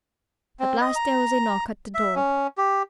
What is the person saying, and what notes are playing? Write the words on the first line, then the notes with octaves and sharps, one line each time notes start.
At last there was a knock at the door.
C4
D#5
A#5
E5
C#4
G4